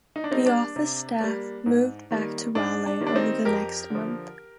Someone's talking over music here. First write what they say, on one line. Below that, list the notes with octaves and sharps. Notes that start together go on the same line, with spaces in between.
The office staff moved back to Raleigh over the next month.
D#4
D4
G3 A#3 C4 D#4
D4
C3
G3 A#3
G#2
D#3 G3 A#3
G#2 D4
D4
D#3 G3 A#3
D4
C4 D#4
F2 G4 A#4
D3 F3